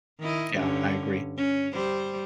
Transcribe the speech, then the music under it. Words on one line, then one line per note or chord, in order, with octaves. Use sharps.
Yeah, I agree.
D#3 E4 D#5
G2 D3 C#4
C#4
G3 C5